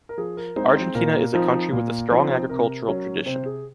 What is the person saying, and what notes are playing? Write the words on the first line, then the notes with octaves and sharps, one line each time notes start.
Argentina is a country with a strong agricultural tradition.
A#4
F3 G#4
A#4
G#3 C4 D#4 C5
C4 C5
A#2 A#4
F3 C4 D#4
A#2
F3 C4 D#4
C3 A#4
F#3 C#4
C3 C4 C5
G#4